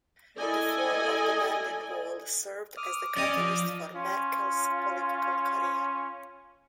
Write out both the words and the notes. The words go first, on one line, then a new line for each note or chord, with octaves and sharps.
The fall of the Berlin Wall served as the catalyst for Merkel's political career.
E4 A4 D5 D#5 G#5
D6 D#6 F6
C#4 D5 D#5 G#5
F3
C#4 F4